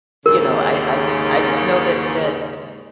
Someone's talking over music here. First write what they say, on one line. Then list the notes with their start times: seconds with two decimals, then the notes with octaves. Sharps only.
you know, I I just I just know that that,
0.26 D#2 G#2 C#3 A#4